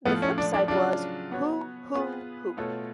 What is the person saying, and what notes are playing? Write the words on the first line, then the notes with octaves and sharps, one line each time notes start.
The flip side was "Who Who Who".
A2 F3 A3 B3 F4 A4
C#4
D4
D4
C#3 F#3 C#4 D4 F4
B3 F#4 C#5
B3 F4 G#4 B4
B2 A3 F4 A4 C#5